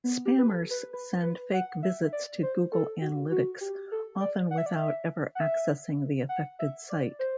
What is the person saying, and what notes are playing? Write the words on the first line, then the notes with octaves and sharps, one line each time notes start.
Spammers send fake visits to Google Analytics, often without ever accessing the affected site.
B3
G4
B4
A4
B4
B4
B4
F#5
E5
D5
C5
A4
F#4
F#4
G4
A4
D5
F#5
E5
D5
E5
F#5
E5
F#5
E5
D5
C5